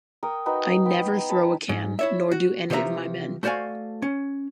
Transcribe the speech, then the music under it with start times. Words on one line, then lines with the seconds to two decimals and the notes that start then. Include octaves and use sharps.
I never throw a can nor do any of my men.
0.23 A#4 G5 C#6 D#6
0.46 D#4 F#4 B4 G5
0.85 B3 B4 G5
1.30 C#5 A5 B5
1.69 G#2
1.99 E4 C#5 E5
2.32 F#4
2.70 C3 E3 F3 D#5 E5 A#5
3.43 A3 F#4 C5 D5 F5 G#5
4.02 C#4